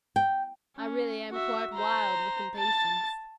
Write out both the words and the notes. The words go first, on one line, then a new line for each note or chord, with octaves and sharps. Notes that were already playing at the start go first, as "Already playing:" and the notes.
I really am quite wild with impatience.
G5
C#4
F#4 E5
C5 A#5
A5 A6